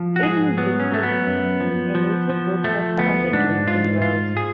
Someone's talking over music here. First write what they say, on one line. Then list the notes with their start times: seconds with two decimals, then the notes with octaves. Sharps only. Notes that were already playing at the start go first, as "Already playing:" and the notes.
In his later years he became a noted broadcaster on the game in Wales.
Already playing: F3
0.16 F#4
0.23 G#2 G#4
0.57 F#3 B3
0.80 C#4
0.91 F#3 A3
1.03 B3
1.26 F#2
1.60 F3
1.95 F3
2.30 F3
2.64 F3 A3
2.98 D2 B3
3.33 G#2 D4
3.67 G#2 F4
4.02 G#2 F4
4.37 G#4